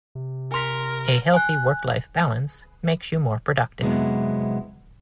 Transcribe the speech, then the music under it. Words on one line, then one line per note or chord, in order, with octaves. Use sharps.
A healthy work life balance makes you more productive.
C3
A#4 G#5 C6 B6
G#5 F#6
F2 C3 F#3 G#3 B3 E4